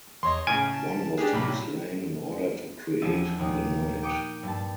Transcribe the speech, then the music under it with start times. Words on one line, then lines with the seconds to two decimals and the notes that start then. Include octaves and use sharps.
One was to be slain in order to create the night.
0.23 E2 C#5 D#5 C6
0.47 A2 C#3 G#5 F6 D7
0.74 A5
1.18 D4 G4 G#4
1.33 A#1 A2 C3 F#3 B5
3.02 E1 F3 E4 E5 A6 D#7
3.38 D#2 A#2 D#6
4.03 G5 D6 D#6 C#7 D#7
4.43 G2 G3 A5